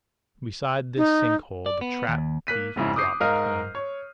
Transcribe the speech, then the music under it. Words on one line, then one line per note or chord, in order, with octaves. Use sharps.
Beside this sink hole the trap-thief dropped Kloon.
D#4
D5
B3
D#2
A#3 F#6 B6 D#7
F1 G#2 C#3 E4
D6 D#6 G6 C7
G#2 A#4 D#5 F5 D#6 F6
C#5